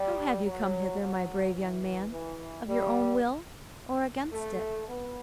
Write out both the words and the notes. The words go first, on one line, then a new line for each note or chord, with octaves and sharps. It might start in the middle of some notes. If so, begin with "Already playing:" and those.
"How have you come hither, my brave young man--of your own will or against it?"
Already playing: G3
F#3
F#3
E3
E3
G3
A3
B3